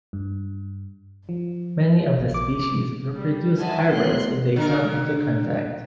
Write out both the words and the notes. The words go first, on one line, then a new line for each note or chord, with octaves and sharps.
Many of the species will produce hybrids if they come into contact.
G2
F3
A#1
D6
G3
C5 D#5 E5 F#5 G#5 A5
A1 B3 C6 F#6
D3 A#4